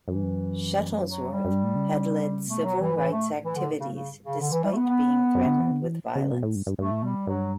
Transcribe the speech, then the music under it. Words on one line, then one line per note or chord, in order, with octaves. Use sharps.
Shuttlesworth had led civil rights activities despite being threatened with violence.
F#2 E3
G2
F#2
F#3
G3
F#2
G2
A2
C#3
D3
C#3
B2 A3
F#3
G2 E3
A2 E3
A3
E3
D3
C#3
G2 C#3
C#3
D3
E3
G3
A3
B3
B3
F#2
D3
E3
D3
E3
C#3
B2
A2
G2
G2
G2 A3
A2
B2 G3
G2 F#3